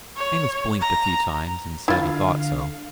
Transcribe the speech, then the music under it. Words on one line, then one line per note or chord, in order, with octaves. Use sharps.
Amos blinked a few times and said he thought so.
C#5
A#5
D3 E4 F4 F5